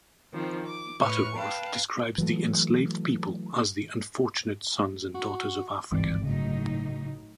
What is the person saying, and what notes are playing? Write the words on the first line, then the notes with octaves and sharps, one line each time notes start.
Butterworth describes the enslaved people as "the unfortunate sons and daughters of Africa".
D#3 F3 C4
D6
A2 B4 C#6 F6
B4 F5 G5 A5
E3 F#3 A3
F#4
G1 C#2 G#2 E3 G3 C4 D5
A2 C#3 F#3 D#4